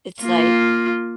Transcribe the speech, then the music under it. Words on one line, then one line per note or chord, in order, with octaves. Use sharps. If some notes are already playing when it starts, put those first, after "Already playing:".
it's like
A#3 F4